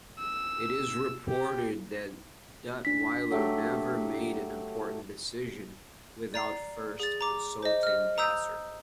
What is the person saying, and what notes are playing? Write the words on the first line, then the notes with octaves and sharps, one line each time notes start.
It is reported that Duttweiler never made an important decision without first consulting Gasser.
E6
G4
D4 B6
F#3 A3 G4
D5 A#5 C7
G#4 A6
A#5 D6
C5 D#5
D#5 F6
A#5 D#6 E6 G6